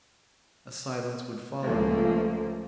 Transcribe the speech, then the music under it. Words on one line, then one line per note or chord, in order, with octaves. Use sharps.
A silence would follow.
C#2 F3 A3 A#3